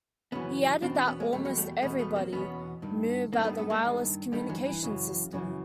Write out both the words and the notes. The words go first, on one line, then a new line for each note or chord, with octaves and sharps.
He added that "almost everybody" knew about the wireless communication system.
F#2 C#3 E3 B3 C#4
E2 B2 C4 D4
C4 D4
B3 C#4
G#3 A#3
E2 B2 G3 A3
F#3 G#3
G3 A3
E2 B2 A3 B3
A3 B3
A#3 C4
E2 B2 B3 C#4
G2 D#3
G2 D#3 A#3 C4
A3 B3
A3 B3
G#3 A#3
G2 D#3
G2 D#3 G3 A3
E3 F#3
E3
F#2 C#3 E3
F#2 C#3 E3